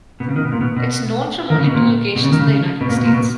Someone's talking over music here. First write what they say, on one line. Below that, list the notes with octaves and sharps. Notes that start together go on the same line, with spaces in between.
It is known from only two locations in the United States.
B2
C#3
D#3
B2
A#2
B2
B2
D#3
C#3
B2
A#2
B2
C#3
D#3
C#3
B2
A#2
B2
A#2
B2